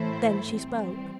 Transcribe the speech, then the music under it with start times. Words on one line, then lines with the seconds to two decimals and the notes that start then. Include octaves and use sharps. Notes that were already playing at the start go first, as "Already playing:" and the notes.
Then she spoke.
Already playing: A2 E3 A3 E4 C5
0.52 E3 G3 C4